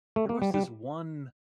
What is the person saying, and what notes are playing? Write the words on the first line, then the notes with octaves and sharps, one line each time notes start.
There was this one
A3
A#3
G3
G3